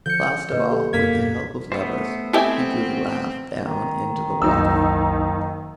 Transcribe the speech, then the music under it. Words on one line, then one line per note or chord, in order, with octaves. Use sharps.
Last of all, with the help of levers, he drew the raft down into the water.
D3 F3 G6 C#7
A#2 D3 A#3 B4 D#5
G4 A4
C#2 F#2 C#3 A#3 G#6 B6
C#2 F#2 B2
E3 A3 B3 C5
C4 E4 G4 A4 E5 G#5
D#3
F#1 C2 D#4 E6